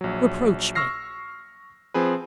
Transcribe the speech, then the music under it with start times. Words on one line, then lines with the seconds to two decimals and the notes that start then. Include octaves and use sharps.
Reproach me.
0.01 A#1 F#3
0.75 C#6 E6 F6 A#6 C7
1.94 F3 C4 G#4 B4